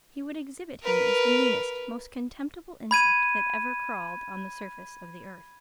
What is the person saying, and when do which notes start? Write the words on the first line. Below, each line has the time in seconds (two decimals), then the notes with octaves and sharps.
He would exhibit him as the meanest, most contemptible insect that ever crawled on the surface of the earth.
0.83 A#4 B4
2.91 B5 G#6 D#7